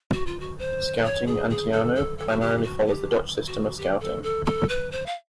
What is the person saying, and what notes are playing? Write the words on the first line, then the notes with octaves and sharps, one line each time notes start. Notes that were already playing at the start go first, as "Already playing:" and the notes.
"Scouting Antiano" primarily follows the Dutch system of Scouting.
F#4
F4
F#4
C5
C#5
G#4
G#4
A4
A4
A4
F#4
G4
F#4
G4
F#4
G4
A4
A4
A4
B4
C5
F5